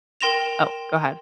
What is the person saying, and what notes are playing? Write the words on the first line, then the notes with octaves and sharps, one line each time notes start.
Oh, go ahead.
A#4 G5 C6 A#6 E7 F7